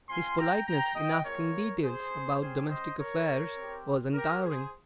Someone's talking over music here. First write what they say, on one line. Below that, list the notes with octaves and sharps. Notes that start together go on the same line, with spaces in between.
His politeness in asking details about domestic affairs was untiring.
C4 F4 G#5 C6
G5 A#5
G5 A#5
D#5 G5
G#3 C4 F4 A#4 C#5
G#4 C5
G3 C#4 G4 G#4 C5
C5 D#5
A#4 C#5
C4 G4
G4 A#4
G#4 C5